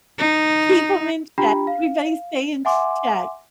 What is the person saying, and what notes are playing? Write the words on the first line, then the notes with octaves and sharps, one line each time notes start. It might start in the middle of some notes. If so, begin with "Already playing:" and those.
Keep 'em in check. Everybody stay in ch check.
D#4
D4 F4 G4 G5 A#5 B5
F5
E5 F#5 G#5 C6 D6